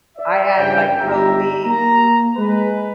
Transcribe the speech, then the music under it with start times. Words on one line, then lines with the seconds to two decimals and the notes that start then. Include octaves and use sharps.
I add, like, Colby
0.18 D5 E5
0.58 G2 C#3 C#4 G4 G5
1.00 G1 F#3 D#4 G4 E5 A#5
1.64 A#3 A#5
2.37 G#3 B4